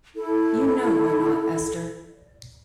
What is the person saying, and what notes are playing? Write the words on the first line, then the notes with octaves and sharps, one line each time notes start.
You know why not, Esther.
E4 A4